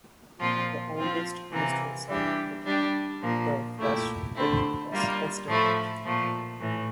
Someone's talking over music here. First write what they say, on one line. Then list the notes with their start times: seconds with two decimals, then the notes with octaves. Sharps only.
The oldest industrial site in the town, the flass factory was extended.
0.40 A#2 F3 C4 F4
0.97 F3 C4 F4
1.53 C3 E3 A#3
2.09 E3 G3 D4 G4
2.65 G3 D4 G4
3.22 A#2 F3 A#3
3.79 A#2 A3 E4 G4
4.35 D3 A3 C4 E4
4.92 G3 A#3 F4
5.48 A2 F3 A3 E4
6.05 A#2 F3 A3
6.60 A2 E3